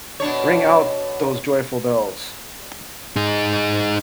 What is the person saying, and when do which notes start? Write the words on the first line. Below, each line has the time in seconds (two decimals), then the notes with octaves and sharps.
Ring out those joyful bells.
0.20 B2 D4 C#5
3.16 D#4 G#4